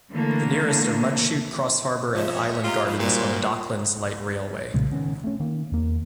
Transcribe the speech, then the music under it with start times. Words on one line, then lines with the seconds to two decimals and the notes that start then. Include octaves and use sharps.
The nearest are Mudchute, Crossharbour and Island Gardens on the Docklands Light Railway.
0.11 D3 E3 A3 A#3
2.15 F3 C#5 D#5 E5
2.64 F4 G4 A#5
2.85 F3 D#4 B4
2.99 A#2 G3 F#4 C5
4.74 B1 A#2 C#3 G#3
4.91 D#3 B3 C#4
5.24 A3 C#4
5.40 D#3 A#3
5.72 E2 A#3